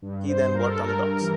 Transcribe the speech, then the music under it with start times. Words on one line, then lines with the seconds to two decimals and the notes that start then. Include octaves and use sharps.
He then worked on the docks.
0.02 G2
0.29 C5
0.42 G2
0.55 A#4
0.68 A4
0.80 G2 A#4
1.21 E3